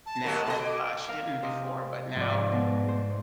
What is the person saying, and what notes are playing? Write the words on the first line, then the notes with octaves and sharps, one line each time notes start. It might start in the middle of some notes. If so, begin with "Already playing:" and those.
now- uh, she didn't before- but now,
A5
D#3 F#3 G4 A#4
B2 A4 D#5
D6
A#4 F5
C3 C5 D#5
G#2 F3 D5
B2
C5